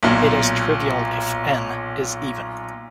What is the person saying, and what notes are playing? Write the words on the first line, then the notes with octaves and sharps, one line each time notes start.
It is trivial if "n" is even.
B1 A#2